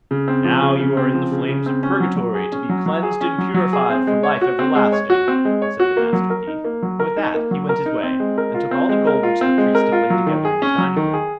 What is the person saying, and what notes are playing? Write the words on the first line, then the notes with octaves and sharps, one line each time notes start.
'Now you are in the flames of purgatory, to be cleansed and purified for life everlasting', said the Master Thief; and with that he went his way, and took all the gold which the Priest had laid together in his dining-room.
C#3
C4
F3
C#3
C#3
C4
F3
C#3
C#3
C4
C#4
F#3
F#3
G#4
C#4
F#3
F#3
G#4
C#4
F#3
F#3
G#4
C4
G#3
C#5
F#4
C4
G#3
C#5
F#4
C4
G#3
C#5
F#4
A#3
F#3
A#4
D#4
A#3
F#3
A#4
D#4
A#3
F#3
A#4
D#4
C4
G#3
A#4
F4
C4
G#3
A#4
F4
C4
G#3
A#4
F4
F#3
D#3
G#4
C#4
F#3
D#3
G#4